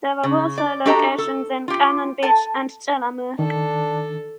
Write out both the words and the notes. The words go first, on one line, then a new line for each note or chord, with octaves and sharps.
There are also locations in Cannon Beach and Tillamook.
C#3
D5
D4 F#4 G4 A4 D#5 A#5
A4
F4 G4
A4 G#5 A5
D#3 D4 A4